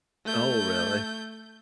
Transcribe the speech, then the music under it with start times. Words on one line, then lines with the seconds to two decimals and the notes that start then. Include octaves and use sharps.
Oh, really?
0.25 A3 G6